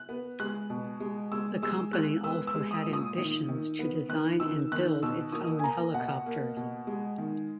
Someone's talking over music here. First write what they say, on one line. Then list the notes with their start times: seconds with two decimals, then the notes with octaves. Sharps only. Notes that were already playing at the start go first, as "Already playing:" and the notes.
The company also had ambitions to design and build its own helicopters.
Already playing: F#6
0.09 B3
0.40 G#3 F#6
0.70 B2
1.00 G#3
1.32 G#3 E6
1.62 G#3 E6
1.93 G#3 F#6
2.24 B3 E6
2.47 E6
2.55 G#3
2.71 D#6
2.86 A#2
2.93 D#6
3.17 D#3
3.48 D#3
3.79 B3
4.09 D#3 F#6
4.40 D#3 E6
4.72 D#3 F#6
5.02 B2 E6
5.32 A#3 D#6
5.59 G#5
5.63 A#3 A#5
5.94 B2 F#5
6.26 A#3
6.57 B2
6.87 G#3
7.18 D#3